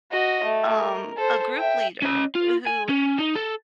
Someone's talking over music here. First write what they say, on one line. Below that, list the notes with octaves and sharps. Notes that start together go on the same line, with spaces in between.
um, a group leader, who
F#4 D#5
A3
A#4
A4 C5
E5 G5
C#4 D#5
F4
G#5
C#4
D#4
A4